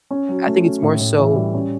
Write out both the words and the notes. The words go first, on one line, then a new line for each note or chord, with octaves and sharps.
I think it's more so
C#4
F#3
A3
C#4
A2
A2
E3
G3
C#4